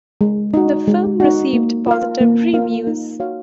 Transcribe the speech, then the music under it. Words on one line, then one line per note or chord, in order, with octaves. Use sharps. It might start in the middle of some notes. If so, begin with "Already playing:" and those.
The film received positive reviews.
G#3
D#4 F#4
G#3
D#4 F#4
A#3
F4 A#4 F5
A#3
F4 A#4 F5
D#4
F#4 C#5 F5